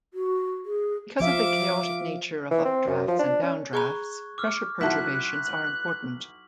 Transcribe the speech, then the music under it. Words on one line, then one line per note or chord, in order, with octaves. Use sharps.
Because of the chaotic nature of updrafts and downdrafts, pressure perturbations are important.
F#4
G#4
F3 E5 F5 D6
E3
C4
F#2
F3
D4
C#4
G#4 A#5 B5 C#6 F#6 G#6
D6 E6 F6
B1 E4 F#4 E5 F#5 A5 F#6 B6
F#7